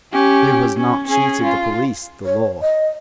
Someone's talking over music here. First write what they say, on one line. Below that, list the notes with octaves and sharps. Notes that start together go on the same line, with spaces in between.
Who has not cheated the police, the law?
C#4 G4
C#4
C#4 G#4
F4
C#5
D#5